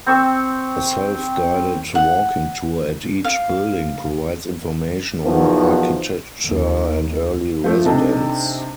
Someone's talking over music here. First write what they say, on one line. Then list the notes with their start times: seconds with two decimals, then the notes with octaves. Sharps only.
A self-guided walking tour at each building provides information on architecture and early residents.
0.07 C4 C#6 E6
1.95 F#5
3.24 F5
5.24 B1 E2 D#3 F3 F#4
6.44 D#2
7.64 F3 A3
7.86 C3 D4 D#4 A4